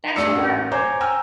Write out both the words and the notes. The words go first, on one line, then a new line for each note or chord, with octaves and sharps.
That should work.
G2 A3 D5 E6 C#7
A1 A#4
C5 C#5 G#5 A#5 D6 G6
G5 G#5 A#5 E6 F6